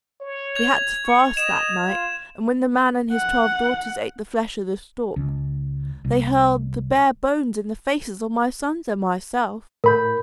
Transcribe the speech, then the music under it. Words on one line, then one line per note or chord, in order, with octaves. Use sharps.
We had to fast that night; and when the man and his twelve daughters ate the flesh of the stork, they hurled the bare bones in the faces of my sons and myself.
C#5
G#6 F7
C#6
D#5 E7
F4
F#5
C#2
C2
A2 A#4 B5 G6